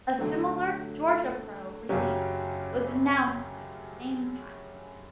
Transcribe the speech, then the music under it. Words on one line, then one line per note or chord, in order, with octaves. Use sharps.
A similar Georgia Pro release was announced at the same time.
D3 F#3 A3
F#2 C#3 F#3 C#4 G4